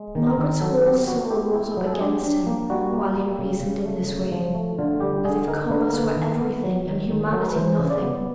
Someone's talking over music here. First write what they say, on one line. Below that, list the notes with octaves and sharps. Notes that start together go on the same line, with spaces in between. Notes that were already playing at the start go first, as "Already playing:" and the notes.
Margaret's whole soul rose up against him while he reasoned in this way--as if commerce were everything and humanity nothing.
Already playing: G#3
D#3
A#4
D#3
F#3 A4
B3 G4
B3 F#4
E4 G4
E4
F#3
A4
G#4
D4 G4
D4
A#3
G3 F#4
A#3
G3
C#3
C#3
A3
C#3
F3
A3
D3 F4
G3 G4
D3 G#4
D#4 A#4
D3 B4
A#4
A#3 B4
D#3
B3
F#3
D#3
D#3
G#4
F#3 A4
A#4
B4
E3 C5
C#3
D5
B3